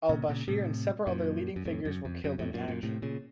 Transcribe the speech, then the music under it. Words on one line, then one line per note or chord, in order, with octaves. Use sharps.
Al-Bashir and several other leading figures were killed in action.
A#2 C#3
A#2 C#3
A2 C3
F#2 A#2
F#2
F2 A2
F#2
F2
F#2
F2 A2
F#2 A#2
F#2 A#2
A2 C3
A#2 C#3